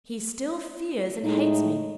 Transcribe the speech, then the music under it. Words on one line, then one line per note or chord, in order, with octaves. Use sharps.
He still fears and hates me.
A2 G#3 D#4